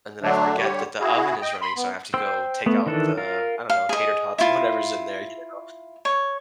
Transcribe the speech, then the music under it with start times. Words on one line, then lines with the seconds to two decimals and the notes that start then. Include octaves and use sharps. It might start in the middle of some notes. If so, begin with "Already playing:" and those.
and then I forget that the oven is running, so, I have to go take out the, I don't know, tater tots or whatever's in there, you know?
0.23 D3 F#3 A3 D4
0.57 D3 G3 G4 C#5
1.00 E4 F#4 G#4
1.41 D#5 G5
1.62 B5 C6
1.77 B3
2.14 C5 G5 C6 E6
2.66 A3 B3
2.86 D#3 E3 D4 A4
3.18 F4 A#4
3.70 F5
3.89 G#4 D#5
4.38 E4 F4
6.05 C#5